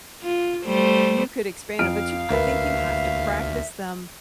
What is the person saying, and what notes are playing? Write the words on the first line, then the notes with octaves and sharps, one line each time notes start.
You could expand it, but you I think you have to practice them
F4
G3 A3 C5
F2 F5 F6 D7
D2 A#4 B4 E5